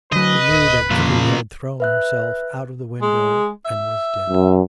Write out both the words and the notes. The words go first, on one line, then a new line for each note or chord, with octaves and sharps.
He knew that Kitty had thrown herself out of the window and was dead.
D3 F#3 B4 D#5
D1
F2 A#2 C#3 F3 A#3
B4 E5 F#6
G#3
E5
F#2